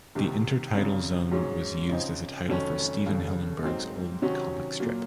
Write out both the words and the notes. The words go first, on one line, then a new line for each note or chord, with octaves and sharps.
The Intertidal Zone was used as a title for Stephen Hillenburg's old comic strip.
C2 C3 D#3
G#1 F#2 C#3
G#2 F#3 C#4 G#4
C#3 F3 C4 D#4
F1 F2 D#3 F#3 C#4
F1 D#2 C#3
G#2 F#3 C4 D#4
C3 D#3 F#3 C#4 F#4
A#2 F#3 A#3